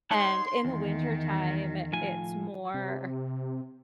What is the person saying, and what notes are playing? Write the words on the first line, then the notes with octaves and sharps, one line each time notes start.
And, in the wintertime, it's more;
D#4 C#5 F#5 C6
E2 D#3
A2 F3 G#5
C3